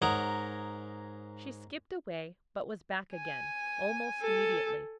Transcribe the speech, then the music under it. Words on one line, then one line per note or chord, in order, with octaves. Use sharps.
She skipped away, but was back again almost immediately.
G#2 A#4 C#5 D#5 F#5 C#6
G#5
A4